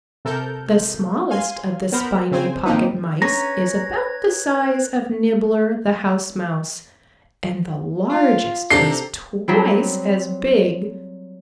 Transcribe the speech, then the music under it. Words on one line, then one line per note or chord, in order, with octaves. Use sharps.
The smallest of the Spiny Pocket Mice is about the size of Nibbler the House Mouse and the largest is twice as big.
C3 A4 A#4 G6
F5 G#5 C6
B3 A#4 C5 A#5 B5
C#3 C4 C5 G#5
G#1 A#3 C4 D#4 B4
C#4 B4 A#5 G#6
F4
C3 D4 G4 A4 G5 A#5 C7
F#3 G3 C4